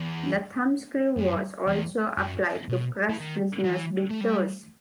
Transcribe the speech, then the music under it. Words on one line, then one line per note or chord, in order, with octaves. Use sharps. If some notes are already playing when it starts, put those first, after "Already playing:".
The thumbscrew was also applied to crush prisoners' big toes.
Already playing: E2
F#2
E2
F#2
B2
E3
D#3
F#3
E3
A3
G3